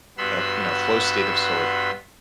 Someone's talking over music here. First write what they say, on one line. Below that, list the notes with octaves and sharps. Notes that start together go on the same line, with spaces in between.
uh, you know, flow state of sort
G2 B3 F#4 B5 C6 E6